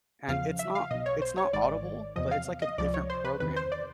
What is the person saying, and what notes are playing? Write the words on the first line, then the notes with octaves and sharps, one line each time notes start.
And it's not it's not Audible, but it's, like, a different program,
E2 C#3 F3 F5
E5
F5
B1 B2 D#5
C#5
C5
C#5
G#1 G#2 D#3 D5
E2 C3 F3 D#5
F5
D#5
C#2 C3 F3 D5
C#5
C5
B4
E2 C3 D#3 B4
C5
D5